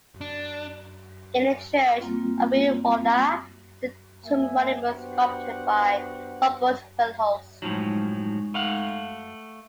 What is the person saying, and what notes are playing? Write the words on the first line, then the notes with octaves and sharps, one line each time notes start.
In the Church of Midwolda is a tomb monument sculpted by Rombout Verhulst.
D4
G3 A#3 C4 F4
A#3 E5 G#5
B3 D4 F#4 G4 C5 F#5
A2 F3 F#3 G#3 D#4
A3 F5 F#5